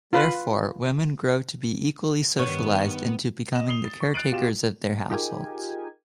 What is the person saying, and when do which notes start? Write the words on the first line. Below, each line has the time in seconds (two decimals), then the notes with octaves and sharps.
Therefore, women grow to be equally socialised into becoming the caretakers of their households.
0.13 F4 B4
2.39 G2 D#3 B3 C#5
3.52 D#5 E7
3.68 D#6 C7 F7 G7
3.85 A6
4.00 C#6
4.14 F#6 A6 C7 D7 D#7 F#7
4.32 B2 F4 G4 E7
5.10 D#4 F4 G4 G#4 A#4 G#5